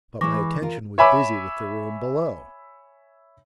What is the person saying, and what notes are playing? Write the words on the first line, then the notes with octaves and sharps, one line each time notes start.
But my attention was busy with the room below.
E3 G#3 E4 C#6 D6 A#6
F4 A#4
C#5 E5 G#5 B5 D6